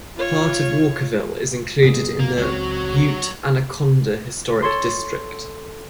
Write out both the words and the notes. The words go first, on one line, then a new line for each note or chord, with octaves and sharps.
Part of Walkerville is included in the Butte-Anaconda Historic District.
F4 C#5
F#1 A#2 B3 G#4
A#3
C#2 F#3 C4 F#4 C#5
A4 C#5 C6